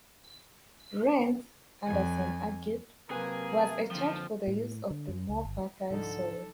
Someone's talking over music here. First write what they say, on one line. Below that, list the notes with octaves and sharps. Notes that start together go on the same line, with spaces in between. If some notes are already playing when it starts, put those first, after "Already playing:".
Rent, Anderson argued, was a charge for the use of the more fertile soil.
F2 G#5
C3 F#3 A#3 G#4 B4 G#5
F2 D3 F3
A2
D3
F#2
C#2
G1
C2 G#2 D3 F3 D#4 A4